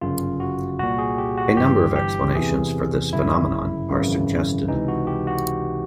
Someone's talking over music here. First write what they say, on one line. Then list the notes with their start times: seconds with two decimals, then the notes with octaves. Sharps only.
A number of explanations for this phenomenon are suggested.
0.01 G1 F#2 C#3 F4
0.40 F#4
0.79 C2 A#2 F#4
0.98 G#4
1.18 G4
1.37 F#4
1.57 G1 G2 E3 G4
1.96 G4
2.35 E2 C3 E3 G#4
3.13 G1 F#2 C#3 E4
3.91 G#1 F#2 C#3 E3
4.68 C#2 C3 E3 D#4
4.88 F#4
5.07 G4
5.27 F#4